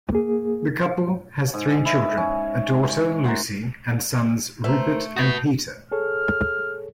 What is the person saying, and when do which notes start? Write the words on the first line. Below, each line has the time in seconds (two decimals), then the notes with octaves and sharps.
The couple has three children, a daughter Lucy and sons Rupert and Peter.
0.13 A#3 G#4
1.54 G#2
1.85 E4
2.17 C#4
3.24 A#4 C5 F#5 C6
4.64 A3 B4 C5 A#5
5.16 F#4 B4 D#6 G6
5.92 G#4 A4 C#5 F6